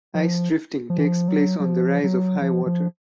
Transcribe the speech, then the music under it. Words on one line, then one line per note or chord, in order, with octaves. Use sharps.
Ice drifting takes place on the rise of high water.
F3
F3
E3
F3
F#3
F#3
F3
F#3
F3
F3